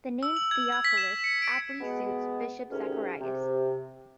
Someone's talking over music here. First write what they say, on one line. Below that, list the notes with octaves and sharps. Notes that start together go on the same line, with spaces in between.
The name Theophilus aptly suits Bishop Zacharias.
E6
F#7
G#6
G#6
B6
E7
C#7
D7
B2 G#3 B3
D2 G#2 C3 D#3 C#4
C3